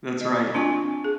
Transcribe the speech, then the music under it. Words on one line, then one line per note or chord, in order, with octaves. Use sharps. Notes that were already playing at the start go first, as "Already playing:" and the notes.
That's right.
D#5
C4 D4 F4 G#5 C#6
G#4